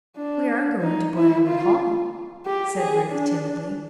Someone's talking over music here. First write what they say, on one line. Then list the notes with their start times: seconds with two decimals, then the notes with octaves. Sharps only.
"We are going to Briarwood Hall," said Ruth, timidly.
0.17 D4
0.82 D#4
1.15 E4
1.48 F4
2.46 G4
2.78 G#4
3.11 D4